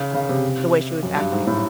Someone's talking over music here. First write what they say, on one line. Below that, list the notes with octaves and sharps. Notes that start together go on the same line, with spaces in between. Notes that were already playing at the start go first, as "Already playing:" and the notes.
um, the way she was acting.
Already playing: C#3
C#3
C3
F#2
G2
G#2
A2